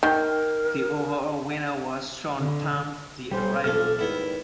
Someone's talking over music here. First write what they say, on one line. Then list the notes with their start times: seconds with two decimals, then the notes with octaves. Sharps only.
The overall winner was Shaun Tan's "The Arrival".
0.03 D#3 A#4 G5 G6
2.37 D3
3.31 B1 G3 C#4 C5
3.64 B1 G2 E3 A3 F4 F6
3.99 D#2 G#2 G3 B3 E4